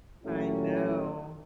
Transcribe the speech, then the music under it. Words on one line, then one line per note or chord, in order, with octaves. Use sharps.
I know.
A#2 F#3 A3 C#4 E4 G4